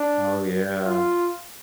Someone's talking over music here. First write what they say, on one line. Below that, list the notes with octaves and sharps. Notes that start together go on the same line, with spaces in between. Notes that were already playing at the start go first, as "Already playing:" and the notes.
Oh, yeah.
Already playing: D4
F4